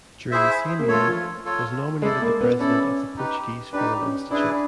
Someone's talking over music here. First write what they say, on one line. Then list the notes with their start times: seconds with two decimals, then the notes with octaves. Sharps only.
During the same year, was nominated the president of the Portuguese Film Institute.
0.31 E4 G#4 C5 E5
0.79 A#3
0.88 A3 F4 A4 C#5
1.07 F3
1.45 F4 A4 C#5
2.02 G#3 E4 A4 D5
2.21 A#3
2.41 B3
2.59 C#4 E4 A4 D5
3.16 D#4 G4 B4
3.73 D4 D#4 G4 B4
4.02 C#4
4.30 D4 E4 G#4 B4